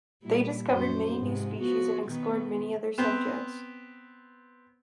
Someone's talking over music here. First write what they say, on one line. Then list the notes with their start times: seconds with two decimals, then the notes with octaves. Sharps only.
They discovered many new species, and explored many other subjects.
0.23 A#2 G3 E4
0.71 F#2 C5
1.19 G#2 C3 F3
1.60 F3 B3 F#4
2.04 B2 D#3 B3
2.98 B3 C4